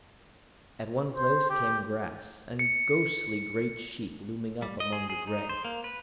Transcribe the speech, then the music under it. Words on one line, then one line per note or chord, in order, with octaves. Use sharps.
At one place came grass, and ghostly great sheep looming up among the gray.
C5
G4
C#7
G3
D#5
G#4
G#4
D#4
C5
A#3
B4